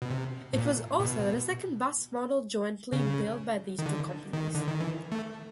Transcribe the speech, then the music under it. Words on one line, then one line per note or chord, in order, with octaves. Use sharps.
It was also the second bus model jointly built by these two companies.
B2
C3
A2
A#2
A#2
B2
C#3
D#3
D3
D#3
D3
D#3
E3
A3